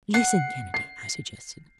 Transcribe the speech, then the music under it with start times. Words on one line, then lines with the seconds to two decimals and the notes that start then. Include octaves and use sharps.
"Listen, Kennedy!" I suggested.
0.14 F#5 C7
0.74 C7